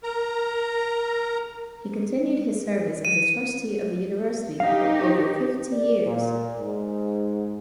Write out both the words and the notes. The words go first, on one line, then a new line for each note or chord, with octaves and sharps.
He continued his service as a Trustee of the University for over fifty years.
A#4 A#5
D#7
D#4 G4 F5
D5
A#2
G#2